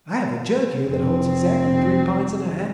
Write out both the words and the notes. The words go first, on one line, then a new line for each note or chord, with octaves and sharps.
I have a jug here that holds exactly three pints and a half.
F1 C4